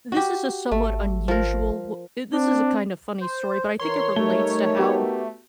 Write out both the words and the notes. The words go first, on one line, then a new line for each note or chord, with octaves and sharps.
this is a somewhat unusual w uh, this is a kind of funny story, but I think it relates to how
F#4 G4
G#1 A3
F3 A#4
C4 D4
C5
E3 A#4 C#5 C6
G3 A3 D#4 A#4 G7
B3 F#4 G4